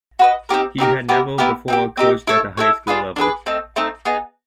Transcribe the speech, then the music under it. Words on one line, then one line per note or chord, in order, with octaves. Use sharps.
He had never before coached at the high school level.
F#4 B4 D#5
C4 D#4 G4 A#4
C4 D#4 G4 A#4
B3 E4 G4 A#4
B3 E4 G4 A#4
C4 D#4 G4
C4 D#4 G4
E4 A4 C#5
E4 A4 C#5
D4 F4 G#4 B4
D4 F4 G#4 B4
A3 C4 D#4
A3 C4 D#4
B3 D#4 G#4